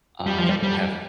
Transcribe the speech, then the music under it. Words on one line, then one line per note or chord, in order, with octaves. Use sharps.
uh, that will have c
G3
F3
G3
G3